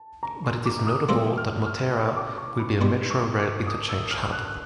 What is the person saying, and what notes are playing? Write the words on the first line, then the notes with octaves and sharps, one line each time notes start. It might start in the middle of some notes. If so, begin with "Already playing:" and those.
But it is notable that Motera will be a metro rail interchange hub.
Already playing: A5
A#5
C6
D6
D#6
B2 F#3 A3 C4 F4 E6
F6
F6
D6
C#6
B5
B2 G3 B3 C6
C#6
D6
D#6
E6
F6
F#6